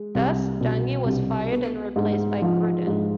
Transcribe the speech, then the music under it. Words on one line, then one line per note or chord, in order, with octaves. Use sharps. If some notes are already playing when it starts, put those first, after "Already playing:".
Thus, Dungy was fired and replaced by Gruden.
Already playing: G#3
C2
B2
C2
B3
G#2
F3
G#2